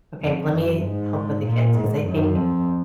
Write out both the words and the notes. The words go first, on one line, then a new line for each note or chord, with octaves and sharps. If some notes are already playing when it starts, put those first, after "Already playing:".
"Okay, lemme help with the kids," 'cause I think
F2
F#2
G#2
A#2
G#2
F#2
F2